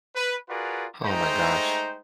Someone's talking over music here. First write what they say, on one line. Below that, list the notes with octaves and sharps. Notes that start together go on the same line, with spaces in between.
Oh my gosh.
B4
F4 F#4 G#4 A#4 B4 D5
G#3 A3 D#4 C5 G5 A#5